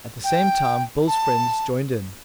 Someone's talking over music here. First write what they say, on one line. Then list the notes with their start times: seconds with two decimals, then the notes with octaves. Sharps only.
At the same time Bill's friends joined in.
0.24 G5
1.07 A5